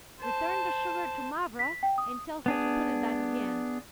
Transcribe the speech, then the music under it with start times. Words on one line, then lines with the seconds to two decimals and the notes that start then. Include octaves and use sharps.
Return the sugar to Mavra, and tell her to put it back again.
0.20 C5 A5
1.59 B6
1.83 G5
1.98 D#6
2.46 B3 D4 G#4